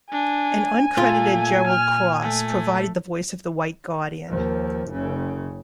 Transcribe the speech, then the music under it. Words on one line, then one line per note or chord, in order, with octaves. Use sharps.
An uncredited Gerald Cross provided the voice of the White Guardian.
D4 G#5
A#2 A3 F4
F6
A3
D#2 F3
F#1 C#3